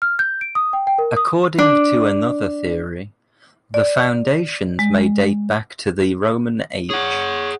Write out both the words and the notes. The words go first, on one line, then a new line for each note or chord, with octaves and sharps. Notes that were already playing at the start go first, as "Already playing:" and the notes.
According to another theory, the foundations may date back to the Roman Age.
F6
G6
D7
D#6
G5
G5
A#4
D#6
D4
D5
G#3
G#4 C#5 F#5